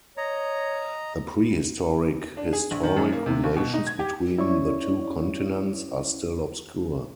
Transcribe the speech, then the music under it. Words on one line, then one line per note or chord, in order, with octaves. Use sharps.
The prehistoric historic relations between the two continents are still obscure.
C#5 D#5 A#5
D4
G#4
A#1
D#3
F#2
A#3
C3
D#2
B2
D#4
G#6
G4
C#4 E4 C#5 D5 C#6